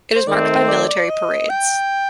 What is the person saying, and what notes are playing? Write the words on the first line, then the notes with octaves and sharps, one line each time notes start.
It is marked by military parades.
C5
D#3 A3 C4 D5
C5
D5
D5
D#5
G5